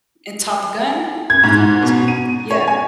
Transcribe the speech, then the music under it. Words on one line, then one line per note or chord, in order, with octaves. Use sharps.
And Top Gun, I think was he in Yeah.
G#6
G#2
B2
D#7
C#5
G#5